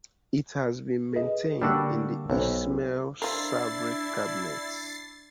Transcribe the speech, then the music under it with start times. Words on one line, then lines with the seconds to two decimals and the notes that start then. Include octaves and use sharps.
It has been maintained in the Ismail Sabri cabinet.
1.12 G#4 B4 D#5
1.62 D3 G3 A#3 D4 F#4 E6
2.30 B1 C5 C#5 D#5
3.22 F3 D4 E4 A#4 A6 C7